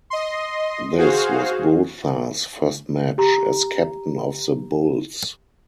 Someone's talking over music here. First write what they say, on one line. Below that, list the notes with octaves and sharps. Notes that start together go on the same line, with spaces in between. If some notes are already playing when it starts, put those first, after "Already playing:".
This was Botha's first match as captain of the Bulls.
D#5 C6
F#4 G#4 C5 F5
G4 A#5